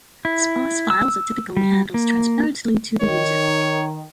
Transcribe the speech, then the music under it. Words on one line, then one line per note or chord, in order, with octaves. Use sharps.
Sparse files are typically handled transparently to the user.
E4
E6
G3
A#3
D#3 C#5